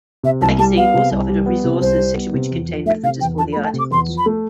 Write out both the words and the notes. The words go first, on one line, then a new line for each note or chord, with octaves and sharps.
The magazine also offered a "Resources" section which contained references for the articles.
C3 E5
C2 A5
G3 A5
B3 F5
C3
C2
G3
B3
C3
C2 C5
G3
B3
C3
E2
F3
A3 E5
C3 F5
E2 G5
F3 A5
B5
A3
A5
C3 D6
E2 C6
F3
B5
A3